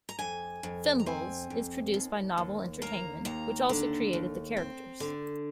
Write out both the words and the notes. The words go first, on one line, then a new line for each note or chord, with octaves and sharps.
"Fimbles" is produced by Novel Entertainment, which also created the characters.
A#5
F2 G#5
F2
A#5
C4 G#5
F2
D#2
D#2
A#3 A#5
D#2 A#5
D3
D#2
C4
D3